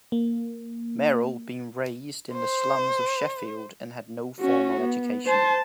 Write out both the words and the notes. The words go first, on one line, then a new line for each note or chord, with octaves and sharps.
Merrill had been raised in the slums of Sheffield and had no formal education.
A#3
C5
C#4 F#4
B3
C5 A5